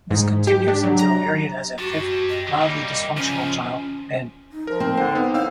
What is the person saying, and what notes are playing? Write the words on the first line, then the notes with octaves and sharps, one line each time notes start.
This continues until Harriet has a fifth, wildly dysfunctional child, Ben.
G#2
G4
D4
F#3
A#5
F#4 G4 A5
D#5
G3 A#3
C#3 F3 C#4
D#4
F3 A#4
C4
D3 C5
B3
A2 D#4 F5 G5 E6